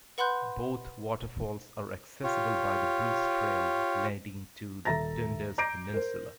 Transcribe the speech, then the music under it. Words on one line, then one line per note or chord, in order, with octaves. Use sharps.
Both waterfalls are accessible by the Bruce trail leading to the Dundas Peninsula.
B4 F#5 B5 C6 F#6 G6
F4 G4 C#5
D#1 A4 E5 A#5 A6 A#6
A#5 D6 G6 A#6 C7 D7
A#4 C5